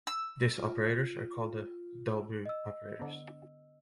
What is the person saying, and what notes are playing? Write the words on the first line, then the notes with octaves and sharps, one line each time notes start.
These operators are called the Dolbeault operators.
E6
F4
D#5 E6
D3 B3